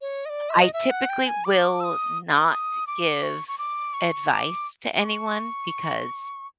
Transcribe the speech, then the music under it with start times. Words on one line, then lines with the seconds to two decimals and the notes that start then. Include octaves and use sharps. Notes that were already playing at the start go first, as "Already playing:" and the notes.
I typically will not give advice to anyone because
0.01 C#5
0.25 D#5
0.30 D5
0.50 E5
0.54 D#5
0.73 E5
0.91 F#5
1.09 G5
1.26 G#5
1.45 D6
1.80 E6
1.84 D#6
2.52 D#6
2.87 D6
3.23 C#6
3.48 C#6
3.58 D6
3.94 C#6
4.30 D6
5.01 D6
5.05 C#6